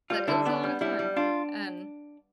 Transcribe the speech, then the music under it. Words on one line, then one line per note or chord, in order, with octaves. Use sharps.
But it was a lot of fun. And
G3 F4
D3 E4
B3 D4
G3
G3 E4
G3
D4 F4